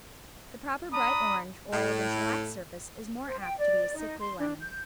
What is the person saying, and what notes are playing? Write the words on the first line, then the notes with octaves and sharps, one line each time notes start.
The proper bright-orange, oiled and shellacked surface is more apt to be a sickly lemon.
D4 A#5 B5 D#6
A2
C5
G5
D5
D#4
C6
D4
G6